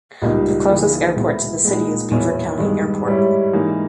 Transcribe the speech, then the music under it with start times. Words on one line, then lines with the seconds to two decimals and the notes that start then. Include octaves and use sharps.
The closest airport to the city is Beaver County Airport.
0.22 C#2 B2 G3 A#3 D#4
0.69 C#3 E3 A#3 D#4
1.16 B2 G#3 B3 E4
1.64 A#2 G#3 B3 D#4
2.11 E2 B2 A#3 C#4 E4
2.58 G2 D#3 G#3
3.06 G#2 G3 C#4 E4
3.53 G#2 E3 A#3 D#4